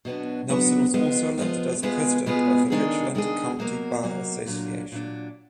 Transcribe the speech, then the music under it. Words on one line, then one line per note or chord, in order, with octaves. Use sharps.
Nelson was also elected as president of the Richland County Bar Association.
B2 F#3 B3 D4 F#4
B2 F#3 B3 D4 F#4
F3 G#3 B3
F3 G#3 B3
B2 G#3 B3 F4 G#4
B2 G#3 B3 F4 G#4
D#3 G#3 D4 G#4
D#3 G#3 D4 G#4
B2 F#3 A#3
B2 F#3 A#3
A#2 F#3 D4
A#2 F#3 D4